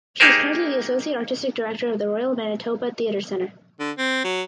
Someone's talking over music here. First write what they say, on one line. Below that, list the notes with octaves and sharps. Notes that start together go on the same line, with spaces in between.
She is currently the associate artistic director of the Royal Manitoba Theatre Centre.
A#3 D#4 G4 G#4 A#4 C5
D3
C4
F#3